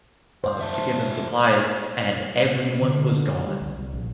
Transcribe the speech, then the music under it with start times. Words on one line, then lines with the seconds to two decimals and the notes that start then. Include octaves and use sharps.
um, to give them supplies and everyone was gone.
0.44 C5
0.59 C3 E5 A5
2.44 B2
2.81 D3
3.47 G3
3.62 C2
3.93 A#1